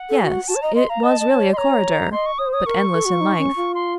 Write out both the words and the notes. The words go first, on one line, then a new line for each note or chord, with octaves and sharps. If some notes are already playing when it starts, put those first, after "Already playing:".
Yes, it was really a corridor, but endless in length.
Already playing: F#5
A4
F#4
F#4 A5
C#5
D#5 A#5
D#5 C6
F5 A#5
D#5 A5
D#5
C#5
D#5 C6
C#5 A#5
D#5 C6
C#6
C#5 D#6
C5
C#5 D#6
A#4 C#6
A4
F#4
F4
D#4
C#4
F4
C6